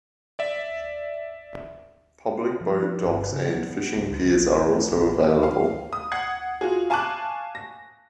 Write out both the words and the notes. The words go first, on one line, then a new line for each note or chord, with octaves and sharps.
Public boat docks and fishing piers are also available.
D5 E5
F3
G1
C#3
F#3
B3
C#2
D2
A#1
A3
A#1
F5
D#6
F#5 G#6 C7
F4 F#4 G#4
F5 G#5 A5 C#6 D6 F#6
A#6